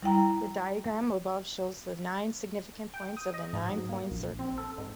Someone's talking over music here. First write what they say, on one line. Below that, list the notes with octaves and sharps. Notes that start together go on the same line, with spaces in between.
The diagram above shows the nine significant points of the nine-point circle.
G3 E4 G5 A#5
G5
D#6
D#5
G#2
F#3
A#3
A#1
C4
A4
G#2